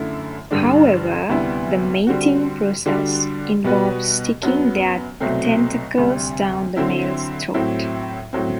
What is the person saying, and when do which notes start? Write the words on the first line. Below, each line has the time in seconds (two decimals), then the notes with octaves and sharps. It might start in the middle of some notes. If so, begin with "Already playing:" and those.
However, the "mating" process involves sticking their tentacles down the male's throat.
Already playing: F#2 D3 A3 E4
0.51 G2 D3 G3 D4
1.29 D2 C3 G3 B3 E4
2.07 D3 G3 C4 F#4
2.86 D3 G3 D4 F#4
3.64 B2 G3 B3 F#4 B4
4.42 F#2 F#3 B3
5.20 C2 B2 F#3 A3 C4
5.98 D2 C3 G3
6.76 D3 F#3 C4 E4
7.54 A2 F#3 C4 E4
8.33 A2 F#3 C4